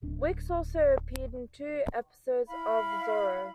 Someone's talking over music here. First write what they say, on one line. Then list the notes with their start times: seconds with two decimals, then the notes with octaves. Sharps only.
Wickes also appeared in two episodes of "Zorro".
0.03 D1 D4
2.47 E4 F5 B5